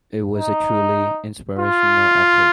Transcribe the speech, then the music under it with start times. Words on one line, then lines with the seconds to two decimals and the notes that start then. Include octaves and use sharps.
It was a truly inspirational effort.
0.34 D#4
1.59 F4